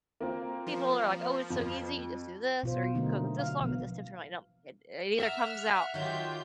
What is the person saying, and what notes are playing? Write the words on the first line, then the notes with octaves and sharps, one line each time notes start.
people are like, "Oh, it's so easy. You just do this or you cook it this long at this temperature." I'm like, "No." It it either comes out
A#3 C4 F4
F3
F2
B2 F4 C5
D3 F#3 A3 A#3 D#4
F5
B2 F3 B3
D5 E5 F#5 A#5 F6
D#3 F#3 F4 G4 G6